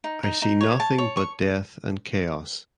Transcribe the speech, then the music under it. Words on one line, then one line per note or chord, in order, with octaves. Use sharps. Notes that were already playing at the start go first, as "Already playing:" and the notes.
I see nothing but death and chaos.
D#4
D#4
D#4
C#5
A5
C#5
C#6